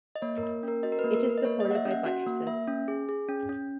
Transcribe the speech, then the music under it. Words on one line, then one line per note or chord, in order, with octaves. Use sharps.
It is supported by buttresses.
D#5
A#3 C#5
A#4
A#3
C#4 A#4
F#4 D#5
A#4
B4
A#3
A#4
A#3 B4
D#5
A#3 C#5
D#5
A#3
F#5
E5
C#4
F#5
F#4 F#5
A#3
A#3 E5
C#4
G#4
G#4
C#4
C#4